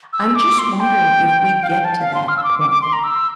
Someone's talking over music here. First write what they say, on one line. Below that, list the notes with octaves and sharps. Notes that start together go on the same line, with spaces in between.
I'm just wondering if we get to that point.
E6
D6
C6
G5
F5
G5
A5
F5
C6
F6
E6
D6
D6
D6
C6
A#5
E6